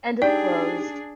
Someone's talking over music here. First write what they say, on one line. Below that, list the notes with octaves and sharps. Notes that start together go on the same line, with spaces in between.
And it closed.
D4 D#4 G4 G#4 D5 G5